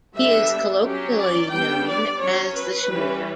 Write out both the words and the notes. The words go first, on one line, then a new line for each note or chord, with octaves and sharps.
He is colloquially known as The Schmoozer.
D3 G3 B3 D4 E5
F#3 C#4 G4
D5
G3 B3 D4 G5
D5
F#3 C#4 C#5
B4
E3 G3 C#4